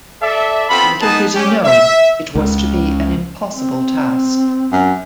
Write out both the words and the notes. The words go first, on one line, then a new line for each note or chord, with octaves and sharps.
Little did he know it was to be an impossible task.
A4 D5 E5
B3 C4 F4 A4 B5
B3 D#4 G#4 B4 D#5 A5
C#4 G4
E5
C#2
C4
F#2